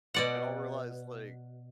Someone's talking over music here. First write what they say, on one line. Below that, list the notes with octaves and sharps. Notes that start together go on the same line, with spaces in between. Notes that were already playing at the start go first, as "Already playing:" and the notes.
and I'll realize, like
B2 D5 F#5